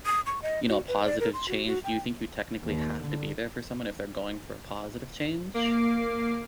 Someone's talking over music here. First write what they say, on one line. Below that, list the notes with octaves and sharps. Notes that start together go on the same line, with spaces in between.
you know, a positive change. Do you think you technically have to be there for someone if they're going through a positive change?
D#6
C#6
D#5
F#4
B4
D5
A#4
C6
F#4
F#4
G5
D#2
D3
A#3 D6 C7